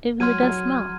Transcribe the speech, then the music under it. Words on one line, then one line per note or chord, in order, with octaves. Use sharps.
It really does smell.
F#3 C6 F6 G#6 D#7
F#3